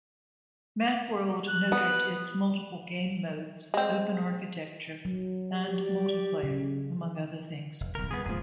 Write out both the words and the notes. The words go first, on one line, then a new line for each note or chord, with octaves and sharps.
Macworld noted its multiple game modes, open architecture, and multiplayer, among other things.
F#6
B3
G#3 C4
F#3
G4 D5
C#3
F1
D1 B1 A#4
C2 B3 G#4
D1 G#2 F3 A#3 G#4